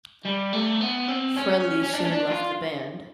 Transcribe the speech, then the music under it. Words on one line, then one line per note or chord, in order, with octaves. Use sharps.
Frehley soon left the band.
G3
A3
B3
C4
C#4
C#4
D4
C#4
D4
F4